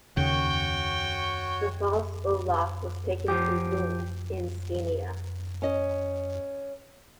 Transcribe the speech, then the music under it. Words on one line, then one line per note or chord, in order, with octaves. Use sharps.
The false Olaf was taken to Lund in Scania.
D#2 C#3 F#4 C#5 G5 C#6
F3 G4
C#4 D#5